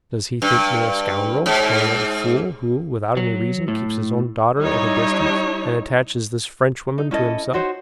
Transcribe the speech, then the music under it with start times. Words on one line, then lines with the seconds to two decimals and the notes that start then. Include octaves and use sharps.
Does he think me a scoundrel, or an old fool who, without any reason, keeps his own daughter at a distance and attaches this Frenchwoman to himself?
0.42 G2
1.46 G#2
3.17 F#3
3.68 A2
4.58 G3 D#4 E4 C#5
6.98 D#4
7.11 C#4 E4 A4 D#5
7.53 D#4 F#4 C5 C#5